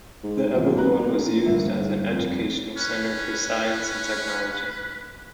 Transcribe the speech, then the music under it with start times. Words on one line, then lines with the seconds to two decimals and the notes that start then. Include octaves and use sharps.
The Evoluon was used as an educational centre for science and technology.
0.23 G#2
0.52 D#1 A1 F3
0.77 C4 A#5 F#6
1.13 A#1
1.46 G1 G2 E5
2.11 F2
2.77 C#4 B4